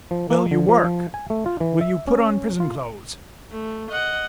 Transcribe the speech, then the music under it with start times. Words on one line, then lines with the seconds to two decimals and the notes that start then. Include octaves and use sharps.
"Will you work?"-"Will you put on prison clothes?"
0.11 F3
0.30 A#3
0.51 D3
0.69 F3
0.84 F3
1.14 G#5
1.30 A3
1.46 F4
1.60 E3
1.81 E5
2.07 C#4
2.60 F4
3.51 A3
3.91 D#5 F#5